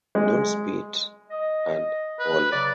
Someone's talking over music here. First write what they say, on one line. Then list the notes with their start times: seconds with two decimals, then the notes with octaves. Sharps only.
Don't Spit and Holler!
0.15 G#3
1.30 D#5
2.19 B4
2.52 C#3 F#3 D5